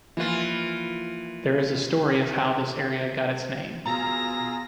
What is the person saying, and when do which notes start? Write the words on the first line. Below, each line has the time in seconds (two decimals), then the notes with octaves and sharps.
There is a story of how this area got its name.
0.17 E3 F3 A#3 F4
3.86 B2 F4 G#4 A#5 E6 A#6